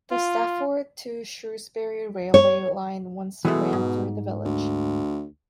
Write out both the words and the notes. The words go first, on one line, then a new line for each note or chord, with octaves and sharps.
The Stafford to Shrewsbury railway line once ran through the village.
F4
C#5
B2 E3 G#3 A3
G#2
D2